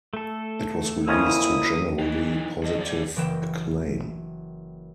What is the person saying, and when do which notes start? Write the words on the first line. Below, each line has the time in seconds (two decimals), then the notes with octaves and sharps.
It was released to generally positive acclaim.
0.13 A3 A4
1.08 F2 A#3 C#4 E4 A#5 D#6
1.99 E3 D#4
2.63 G2 D#5
2.77 F2 D5
3.16 F#1 E3 A#3 G5 E7